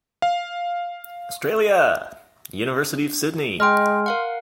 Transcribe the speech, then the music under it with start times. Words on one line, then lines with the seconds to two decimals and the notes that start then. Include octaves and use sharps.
Australia: University of Sydney.
0.22 F5
3.60 G#3 D#5 G5 C6 F6
4.06 A#4 F5 F#5